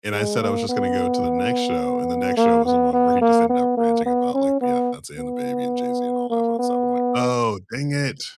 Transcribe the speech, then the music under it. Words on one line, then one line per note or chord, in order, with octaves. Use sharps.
and I said I was just gonna go to the next show, and the next show was the one where he just ended up ranting about, like, Beyoncé and DaBaby and Jay-Z and all that fun stuff. I'm like, "Oh, dang it."
G#3
A#3
B3
A#3
B3
B3
A#3
B3
A#3
B3
C#4
B3
B3
A#3
B3